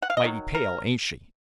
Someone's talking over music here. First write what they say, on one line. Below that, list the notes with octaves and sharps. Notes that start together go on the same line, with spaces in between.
"Mighty pale, ain't she?"
F#5
F5
D#5
D#3 F#3
A#4